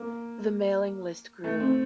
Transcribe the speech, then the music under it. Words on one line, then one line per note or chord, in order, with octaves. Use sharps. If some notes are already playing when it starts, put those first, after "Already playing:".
The mailing list grew.
Already playing: A#3
A3
C4